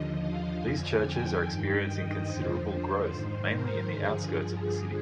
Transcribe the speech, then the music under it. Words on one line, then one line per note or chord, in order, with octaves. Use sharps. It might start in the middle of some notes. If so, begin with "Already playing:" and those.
These churches are experiencing considerable growth, mainly in the outskirts of the city.
Already playing: D#2 D3 F3 D#5
F5
F2 D3 F3 G#5
G5
G2 D#3 G5
D#5
F2 D3 F3 C5
G#2 D#3
A#4
G2 D3 F3 G#4
G#4